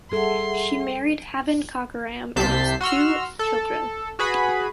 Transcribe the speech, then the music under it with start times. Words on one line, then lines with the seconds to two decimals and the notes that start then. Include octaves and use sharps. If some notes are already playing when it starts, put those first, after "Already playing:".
She married Haven Cockerham and has two children.
0.12 G3 G#4 A4 E5 F#5 C6
2.36 C2 C3 A5 G6 B6 C7
2.81 F#4 C6 E6 F6
3.39 A4
4.19 F#4 G#4 B4 B5